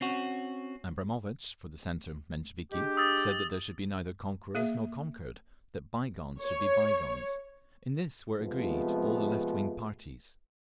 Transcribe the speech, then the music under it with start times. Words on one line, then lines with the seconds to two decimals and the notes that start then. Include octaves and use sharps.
Abramovitch, for the centre Mensheviki, said that there should be neither conquerors nor conquered--that bygones should be bygones. ...In this were agreed all the left wing parties.
0.01 C4 C#4 F#4
2.72 G#3 D4 G4
2.97 D#6 E6 A6
4.55 A#3 G#4 E5
6.42 C#5
8.39 F2 C3 F3 G#3 A3 B3